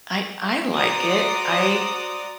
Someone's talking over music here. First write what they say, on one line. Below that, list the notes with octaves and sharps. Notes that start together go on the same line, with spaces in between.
I I I like it. I
F#4 C5 D5 A#5 D6 D#6